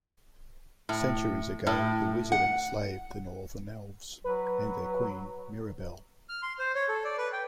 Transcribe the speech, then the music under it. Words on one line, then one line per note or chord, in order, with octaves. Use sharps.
Centuries ago, the Wizard enslaved the Northern Elves and their Queen, Mirabelle.
A2
A2
F#5
F#3 B4
F6
C6
C5
C#5
A4
D5
B4
G5